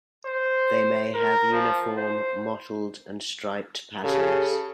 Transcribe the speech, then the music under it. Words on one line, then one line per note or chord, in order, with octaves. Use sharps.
They may have uniform, mottled, and striped patterns.
C5
A#4
F3
C5
C#3 G4 A4